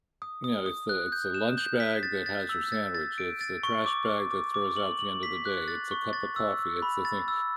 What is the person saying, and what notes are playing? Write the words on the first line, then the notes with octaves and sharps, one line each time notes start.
You know, it's the, it's a lunch bag that has your sandwich, it's the trash bag that throws out at the end of the day, it's a cup of coffee, it's the thing,
D#6
D#6
D#6
F#6
G6
E7
G6
B6
A6
A6
E6
A6
A6
D7
A6
C#6
D6
D6
D6
D6
F#7
F#7
B6
F#6
A6
C#6
A6
E6
E6
B5
A6
E6